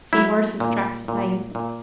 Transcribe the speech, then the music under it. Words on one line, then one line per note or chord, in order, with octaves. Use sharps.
See horse's tracks plain.
F#3 E4
A#2
A#2
A#2